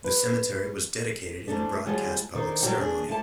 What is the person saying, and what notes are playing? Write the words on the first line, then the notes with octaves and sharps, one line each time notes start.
The cemetery was dedicated in a broadcast public ceremony.
B4
G#2 A3 D4
D#2 C#3 F3 G3 G#3 F#4
D3 D#3 D#4 A#4 C5
G#2 D3 F#3 G3 F#4 G4
D4 G#4
D3 A3 F4 A5